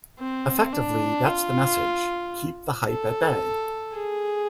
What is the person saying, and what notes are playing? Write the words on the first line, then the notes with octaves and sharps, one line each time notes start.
Effectively, that's the message: Keep the hype at bay.
C4
D4
F4
A4
G#4